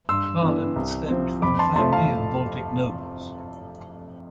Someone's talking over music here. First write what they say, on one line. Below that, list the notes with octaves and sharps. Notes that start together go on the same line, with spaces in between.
Pahlen stemmed from a family of Baltic nobles.
G2 C6 E6
E3 B3 D4
C2
C3 F3 C4
F2 B5 D6
A5 C6
C3 F3 A3 A5 C6
F5 A5